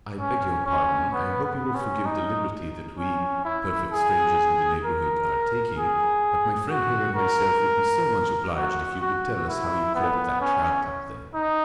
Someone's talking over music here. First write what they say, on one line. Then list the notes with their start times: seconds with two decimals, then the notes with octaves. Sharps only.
"I beg your pardon, I hope you will forgive the liberty that we--perfect strangers in the neighbourhood--are taking, but my friend here and myself would be so much obliged if you would tell us how you caught that trout up there."
0.20 C#4
0.66 C#4
1.13 B3
1.44 B3
1.75 C#4
2.06 D#4
2.98 C#4
3.45 E4
3.92 G#4
4.84 A#4
5.77 G#4
6.70 F#4
7.16 A#4
8.56 F#4
9.02 F#4
9.49 E4
9.95 B3
10.41 C#4
11.34 D#4